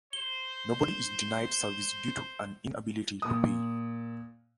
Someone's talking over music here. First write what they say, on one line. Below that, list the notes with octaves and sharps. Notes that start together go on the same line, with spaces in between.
Nobody is denied service due to an inability to pay.
C5 G7
A#2 D#6